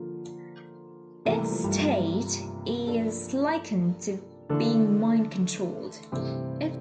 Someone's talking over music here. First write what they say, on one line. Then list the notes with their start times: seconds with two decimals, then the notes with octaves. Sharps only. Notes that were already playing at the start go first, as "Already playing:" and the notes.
Its state is likened to being mind controlled.
Already playing: D3 F3 A#3 F4
1.25 C3 E3 A3 A#3 E4
1.38 G3
1.51 F3
1.64 G2 G3
2.87 F3 A#3 D4 A4
4.50 D3 E3 A3 D4 E4 A4
6.12 G2 C3 E3 A3 C4